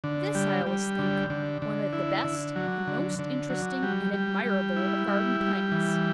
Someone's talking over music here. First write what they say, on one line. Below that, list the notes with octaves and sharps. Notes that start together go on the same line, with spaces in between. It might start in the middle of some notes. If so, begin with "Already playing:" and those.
This I always think one of the best and most interesting and admirable of garden-plants.
D3
G3
G3
D3
D3
D3
E4
D3
F#3
D3
D3
F#3
G3
G3
G3
E4
G3
G3
E3